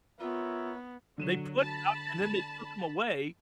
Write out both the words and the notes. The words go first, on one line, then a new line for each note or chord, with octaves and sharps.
they put it out, and then they took 'em away
B3 F4 A#4 C#5 E5
D3 F#3 D#7 E7
A5 B5